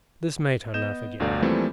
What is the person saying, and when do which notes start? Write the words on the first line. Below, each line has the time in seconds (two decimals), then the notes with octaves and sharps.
This made her laugh again.
0.74 B3 D#5 G6 E7
1.20 G1 D2 B2 A4 D5 F5
1.42 E3 F3 G3 A3 A#3 C4